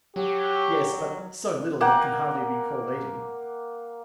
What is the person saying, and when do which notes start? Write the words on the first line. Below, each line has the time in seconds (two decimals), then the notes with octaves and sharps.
"Yes; but so little, it can hardly be called eating."
0.16 F#3 G4
1.81 A#3 F#5 G5